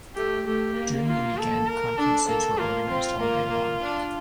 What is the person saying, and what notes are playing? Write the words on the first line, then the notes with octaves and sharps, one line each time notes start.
During the weekend, conferences were organized all day long.
A3 G4
A3 G4
A#3
F4
A4
A#4
D4 A4
A#3 A4
A#3 F4
C4
A#3
A#3
D4